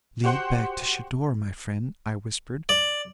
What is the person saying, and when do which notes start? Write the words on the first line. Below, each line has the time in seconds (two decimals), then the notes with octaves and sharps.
"Lead back to Shador, my friend," I whispered.
0.24 F#4 G4 C5 F#5 C6
2.69 D5